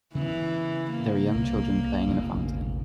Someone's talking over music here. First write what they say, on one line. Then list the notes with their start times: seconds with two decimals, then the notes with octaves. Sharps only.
There are young children playing in a fountain.
0.15 C#3 E3 B3
0.92 A#3
1.35 C2
2.08 E1 A1 C#3